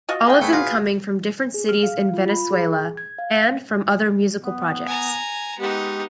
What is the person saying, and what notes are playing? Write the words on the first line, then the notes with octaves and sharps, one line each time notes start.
All of them coming from different cities in Venezuela and from other musical projects.
F4 F#4 D#5
G#4 D#5 F5 G5 G#5
A3 G#4 B4
F4 F#4
G#4
F6
F5
F4
B5
G#4
G#6
F5
B3
G#5 A#5
G#3 B3 D#4 G4